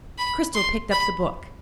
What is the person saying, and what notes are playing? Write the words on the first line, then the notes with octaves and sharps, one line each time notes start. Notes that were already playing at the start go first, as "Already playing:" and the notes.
Cristel picked up the book.
B5
C6
B5